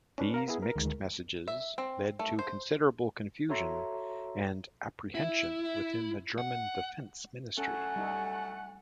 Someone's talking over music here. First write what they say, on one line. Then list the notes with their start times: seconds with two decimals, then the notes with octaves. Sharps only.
These mixed messages led to considerable confusion and apprehension within the German Defence Ministry.
0.18 C#4 D4 B4
0.34 A#4 F5 A#5
0.48 B3 E4 G#4
0.63 A#4
0.76 D2 D#3 G#3
1.48 E5
1.78 C4
2.19 A3
2.39 C5
3.49 F#4 A4 C#5 E5 A#5 C6
5.15 E4
6.38 F#5
7.58 F#3 A3 C#4 A4 F#5 G#5
7.96 G3 D#4 A4